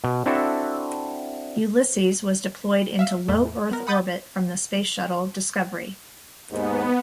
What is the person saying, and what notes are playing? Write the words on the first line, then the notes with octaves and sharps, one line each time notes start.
"Ulysses" was deployed into low-Earth orbit from the Space Shuttle "Discovery".
B2
C4 D4 E4 F#4 A4 E5
E5 F5
E2 A2 A3
B3 A#4
F#5 B5 D#6 G6 A6
D#2 G#2 B3